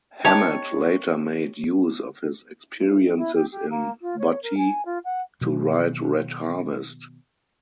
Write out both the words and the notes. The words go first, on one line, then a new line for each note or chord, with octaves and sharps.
Hammett later made use of his experiences in Butte to write Red Harvest.
D#4 G4 C#5 A5
E4
G4
G4
A#3
F4
C#5
A#4
G#5
F4
F#5
B2 D#3 F#3